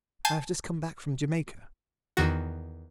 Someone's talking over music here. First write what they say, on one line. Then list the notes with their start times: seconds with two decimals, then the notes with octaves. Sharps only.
I have just come back from Jamaica.
0.25 G#5 A5 G6 C7 D#7
2.17 E2 D#3 F#4